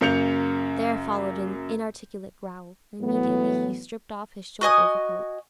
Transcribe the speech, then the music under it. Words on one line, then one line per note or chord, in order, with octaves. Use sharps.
There followed an inarticulate growl, and immediately he stripped off his short overcoat.
F#2 C#3 A#3 G6 C#7 F7
A2 E3 F#3 A3 B3
F#4 D#5 G#5 D#6